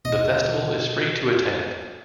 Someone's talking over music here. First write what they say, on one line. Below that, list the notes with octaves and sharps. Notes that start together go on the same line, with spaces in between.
The festival is free to attend.
D#2 B2 B3 D#5